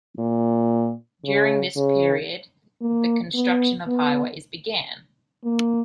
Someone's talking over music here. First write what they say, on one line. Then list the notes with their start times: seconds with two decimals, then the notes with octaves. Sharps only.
During this period, the construction of highways began.
0.19 A#2
1.25 C#3
1.77 C#3
2.82 A#3
3.35 B3
3.87 B3
5.45 A#3